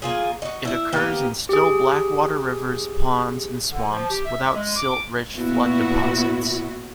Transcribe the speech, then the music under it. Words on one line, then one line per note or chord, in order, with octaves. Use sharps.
It occurs in still blackwater rivers, ponds and swamps without silt-rich flood deposits.
A#3 F4 G#4
D#4 F#4
E4 E5
A#3 B3 D#4 G4
G4 G#4
D3
F3
G4
E5
G#3
D6
A#2 B3 E4 F#4